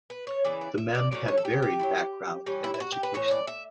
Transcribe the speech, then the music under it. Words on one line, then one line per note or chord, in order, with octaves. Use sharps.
The men had varied background and education.
B4
C#5
C#3 E3 B3 E4 D5
D5
E5
D5
A2 F#3 A3 C#4 D5
C#5
A4
G4
G4
F#3 A3 E4
E3 G3 C#4
E4
E4
F#4
G4
B4
A2 E3 C#5
D5
E5